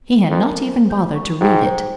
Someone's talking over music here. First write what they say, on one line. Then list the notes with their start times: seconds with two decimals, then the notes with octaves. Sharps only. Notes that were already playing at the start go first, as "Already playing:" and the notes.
He had not even bothered to read it.
0.16 A#4
0.29 F2
0.41 A#4
0.67 C5
0.90 G6
1.15 C#6
1.41 G#2 G5
1.65 C5